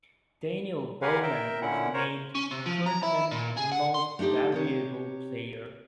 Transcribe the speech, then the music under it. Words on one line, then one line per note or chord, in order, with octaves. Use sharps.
Daniel Bowman was named Tournament Most Valuable Player.
G4 A#4 B4 F5 F#5 G#5
A#4 E5 G5
A#2 D3 C#4 E4 F#5
A#4 C5 C#5
C#4
C3
F3
A#5
E4
A#2
G#4
F#5
C6
A3 D4 D#4 G4 D5
C3 G4 C#5